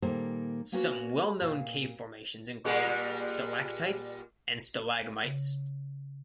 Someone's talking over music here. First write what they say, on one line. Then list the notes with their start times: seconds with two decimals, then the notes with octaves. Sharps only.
Some well known cave formations include stalactites and stalagmites.
0.02 A#2 D#3 G3 A#3 A4 C5
0.72 A#3 B3 C#4 F4 F#4 B4
1.41 A#2 F5
2.65 A#2 G3 G#3
5.24 C#3